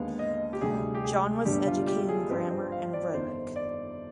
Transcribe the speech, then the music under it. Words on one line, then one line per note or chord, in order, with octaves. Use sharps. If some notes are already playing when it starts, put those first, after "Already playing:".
John was educated in grammar and rhetoric.
Already playing: D#2 D3 G#3 B3 F5
D#5
G4
D2 C3 G3 G#4
G4
G#4
G1 G2 D3 G3 G4
F4
G4
G#4
G2 F3 C4 B4
C5
F5
D5
G1 F2 D#3 C5
D5